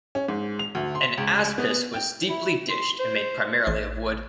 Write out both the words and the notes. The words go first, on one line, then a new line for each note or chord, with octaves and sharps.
An aspis was deeply dished and made primarily of wood.
C#4
G#2
F7
D2
C6
C#2
B3
G5
E4
C6
C5
A1